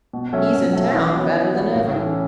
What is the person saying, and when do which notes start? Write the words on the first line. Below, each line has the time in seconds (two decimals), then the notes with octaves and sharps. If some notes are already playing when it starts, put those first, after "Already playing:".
He's in town, fatter than ever.
0.13 B2
0.33 F#3 C#4 A4 E5
0.53 B2
0.73 F#3 C#4 A4 E5
0.94 E3
1.15 B3 F#4 C#5
1.35 E3
1.54 B3 F#4 C#5
1.75 A2
1.96 E3 C#4 A4